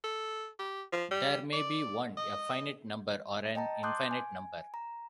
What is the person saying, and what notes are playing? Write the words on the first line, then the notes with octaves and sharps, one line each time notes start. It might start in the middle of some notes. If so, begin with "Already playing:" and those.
There may be one, a finite number, or an infinite number.
A4
G4
F3
G3
D5
D#5
D#5 G5 A5 A#5
A5 C6 D6 D#6 F#6 G6
G#5
A#5